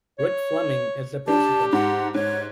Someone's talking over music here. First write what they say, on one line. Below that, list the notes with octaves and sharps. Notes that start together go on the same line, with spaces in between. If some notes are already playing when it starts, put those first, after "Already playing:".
Rick Fleming is the Principal.
C#5
D4 G4 A5
G#2 F#5
G#2 C#5